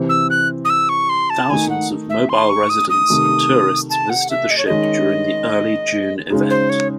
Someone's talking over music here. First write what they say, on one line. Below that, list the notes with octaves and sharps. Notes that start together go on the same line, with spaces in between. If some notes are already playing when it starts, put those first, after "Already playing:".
Thousands of Mobile residents and tourists visited the ship during the early June event.
Already playing: C3 E3 C4
E6
F#6
D#6
E6
C#6
C6
A5
D#3 A3 D#4 G#5
F#5
E5
C6
C#6
D#6
D#6
C3 D#3 A3
A5
F#5
E5
D#5
C#5
D#3 G#3 C#4 D#5
C#3 G#3 D#4
C5
C#5